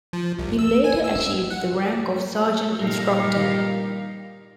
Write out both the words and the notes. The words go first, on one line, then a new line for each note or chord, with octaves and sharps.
He later achieved the rank of Sergeant Instructor.
F3
C2
E6
G#5
E6
F#5
A#2 G3 D#4 G4 A#4 F5